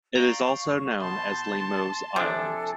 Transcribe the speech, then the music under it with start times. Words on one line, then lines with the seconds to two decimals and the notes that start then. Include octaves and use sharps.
It is also known as Lemo's Island.
0.16 D5 F5 G5 A#5 C#6
1.00 B2 A5 C6 G6
2.16 C3 F3 D4 A4 G#5